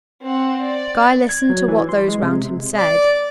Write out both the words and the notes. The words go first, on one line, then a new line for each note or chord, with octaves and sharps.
Guy listened to what those round him said.
C4 F#5
D5
G#6
F#3
E3
C6
G#3
C3
D5